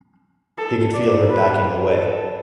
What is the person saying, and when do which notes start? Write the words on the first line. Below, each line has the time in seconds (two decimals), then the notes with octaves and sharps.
He could feel her backing away.
0.58 A4
0.93 D5
1.29 B4
2.00 A4